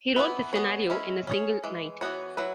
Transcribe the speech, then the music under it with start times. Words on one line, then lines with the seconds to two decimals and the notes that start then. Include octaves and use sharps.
He wrote the scenario in a single night.
0.16 E3 B3 E4 B4
0.53 B3 G#4 C#5
0.90 G#3 C#4 E4
1.27 C#4 G#4 C#5
1.64 E3 G#3
2.01 E3 B3 F#4 C#5
2.37 F#3 E4 B4